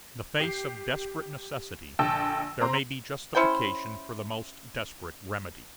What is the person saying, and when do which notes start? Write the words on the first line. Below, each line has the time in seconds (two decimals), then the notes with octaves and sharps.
In the face of desperate necessity, there may be justification for the most desperate remedy.
0.40 G4 C7
1.99 A#1 D3 G5 A5 E6
2.61 C4 A#5 C6
3.35 C#4 E4 C5 G5